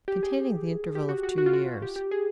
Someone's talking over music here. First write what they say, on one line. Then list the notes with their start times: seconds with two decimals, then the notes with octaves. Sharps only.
Containing The Interval Of Two Years.
0.08 G4
0.23 G#4
0.95 G4
1.09 F#4
1.23 F#4
1.38 F#4
1.46 F4
1.53 F#4
1.82 G4
1.96 G4
2.11 G#4